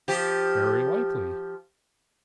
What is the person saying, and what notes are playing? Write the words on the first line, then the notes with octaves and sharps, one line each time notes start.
"Very likely."
F3 G4